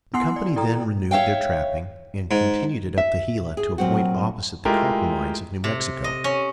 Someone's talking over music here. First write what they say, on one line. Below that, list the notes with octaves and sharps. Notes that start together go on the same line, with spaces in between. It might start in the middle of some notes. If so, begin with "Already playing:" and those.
The company then renewed their trapping, and continued it up the Gila to a point opposite the copper mines of New Mexico.
B3 E4 F#5 G#5 C6 C7
D5
E4 A4 D5 G5 A#5
C#5 E5 F5 G5
G#2
E5
G#4
A#2 F#3 C4 F#4
G#3 A3 E4 F4 G4 A#4
C3
D#5
C#4